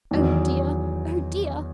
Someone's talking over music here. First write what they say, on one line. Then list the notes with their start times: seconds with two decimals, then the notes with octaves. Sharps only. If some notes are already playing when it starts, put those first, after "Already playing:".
Oh dear, oh dear!
0.11 E2 D#3 F#3